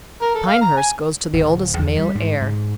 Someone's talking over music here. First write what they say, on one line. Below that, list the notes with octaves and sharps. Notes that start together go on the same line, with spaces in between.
Pinehurst goes to the oldest male heir.
A#4
A4
F5
A#5
G#5
D1
E2
G3
G#2
G#2